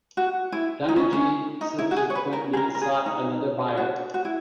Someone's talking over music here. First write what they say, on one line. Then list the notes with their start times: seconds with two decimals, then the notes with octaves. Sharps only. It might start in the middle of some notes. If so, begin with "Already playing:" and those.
Dynegy subsequently sought another buyer.
0.17 F#4
0.52 E4
0.89 D#4
0.96 C#4
1.13 C#4
1.61 D#4
1.78 E4
1.91 F#4
1.97 G#4
2.10 C#5
2.15 B4
2.33 A#4
2.53 G#4
2.57 A#4
2.75 A#4
2.81 G#4
3.06 D#4
3.77 F#4
4.14 F#4
4.25 E4